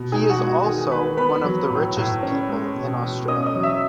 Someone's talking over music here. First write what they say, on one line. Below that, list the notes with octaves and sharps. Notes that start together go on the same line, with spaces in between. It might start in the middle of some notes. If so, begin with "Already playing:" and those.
He is also one of the richest people in Australia.
Already playing: B2
D#4 G#4 G#5
F#4 F#5
G#3
F#4 F#5
D#3 G#4 G#5
D#3 B4 B5
B3 B4 B5
F#3
A2
A2
C#4
G#3
B2
B2
C#4 D#5 D#6
D#5 D#6
F#3
E5 E6